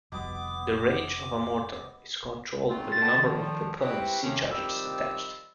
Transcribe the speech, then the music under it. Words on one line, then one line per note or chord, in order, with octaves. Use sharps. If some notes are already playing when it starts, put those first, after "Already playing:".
The range of a mortar is controlled by the number of propellant "C-charges" attached.
F1 B2 G3 B3 D6
A#2 C#3 A3 C4 D#4 F4
D3 E3 B3 G5 A5
D3 D#3 F3
C4 E4 F#4 G4 B4 G5
D#2 A2 C3 D#3 C4 C#4
D#3 F3 G3 C4 G4 E6